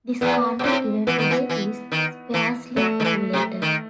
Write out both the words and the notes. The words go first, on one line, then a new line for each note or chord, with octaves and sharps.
This country even today is sparsely populated.
E2 B3
B2
A2 C4
E3 B3
D#3
E3
E3
D#3
E3
F#3 A3
D#3
E3
C3
D#3